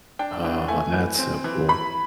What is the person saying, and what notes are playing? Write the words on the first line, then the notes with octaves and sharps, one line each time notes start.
oh, that's so cool.
D4 G5
E3
A3 G#5
E3
C4
E3
E3 B5